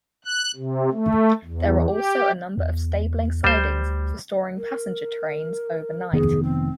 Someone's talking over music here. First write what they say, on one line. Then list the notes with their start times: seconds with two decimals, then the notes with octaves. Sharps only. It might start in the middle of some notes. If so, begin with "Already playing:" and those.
There are also a number of stabling sidings for storing passenger trains overnight.
0.25 F#6
0.56 C3
0.93 A3
1.45 E2
1.89 G4
2.58 E2
3.44 D2 G3 C5
4.56 A#4
6.13 F1 D#3 B3 G#4
6.43 C4